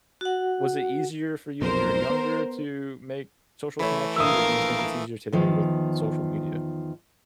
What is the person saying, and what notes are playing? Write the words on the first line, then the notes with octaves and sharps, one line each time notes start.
was it easier for you when you were younger to make social connections, or do you think it's easier today with social media?
F#4 F#5
B1 F2 A#4 C5
B3
E3 A3 A4 C#5 B5
A#1 A#4 E5 F5 B5 D#6 E6
E2 D#3 F3